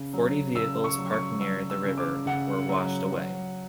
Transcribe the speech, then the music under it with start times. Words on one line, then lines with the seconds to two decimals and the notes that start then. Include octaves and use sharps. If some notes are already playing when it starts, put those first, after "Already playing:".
Forty vehicles parked near the river were washed away.
Already playing: C#3
0.13 F#3
0.55 C#3 E6
0.84 C#6
0.98 F#3
1.12 C#6
1.41 F#3 E6
1.70 E6
1.83 C#3
1.98 D6
2.26 C#3 F#5
2.69 F#3
3.12 F#3